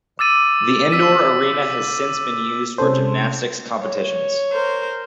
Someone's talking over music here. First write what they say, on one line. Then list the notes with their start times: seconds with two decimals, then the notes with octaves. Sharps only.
The indoor arena has since been used for gymnastics competitions.
0.19 D6 E6 A6 D#7
0.91 E6 B6 D#7
2.78 C3 C#4 A4 C5
3.82 C#5
4.52 A#4 C5